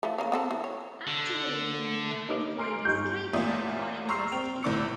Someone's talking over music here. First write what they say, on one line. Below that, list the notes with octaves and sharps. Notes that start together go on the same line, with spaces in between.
Activities in the area include escaping and plotting your escape.
E3 F3 A3
C#3 A#3 C#4
B3 C4 A4
E3
C#5
D3
D#4 G4 B4 C#5 D#5 D6
G#5 A#5 C6 F6 C7 D7
G1 D#4 G4 C#6 G6
A1 A#2 F4 D5 E5 D#6
A#5 C6 C#6 E6 F6 C7
C4 G5 F7
G1 A2 D5 D6 E6 C#7